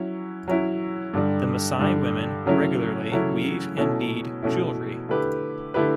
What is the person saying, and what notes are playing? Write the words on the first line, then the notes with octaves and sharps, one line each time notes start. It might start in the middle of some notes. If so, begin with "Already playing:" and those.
The Maasai women regularly weave and bead jewellery.
Already playing: F#3 C#4 E4
F#3 C#4 E4
G2 D3 G3
G2 D3 G3
C#3 F#3 A3 C#4 E4
C#3 F#3 A3 C#4 E4
B2 A3 C#4 E4
B2 A3 C#4 E4
D3 A3 E4 G4 B4
D3 A3 E4 G4 B4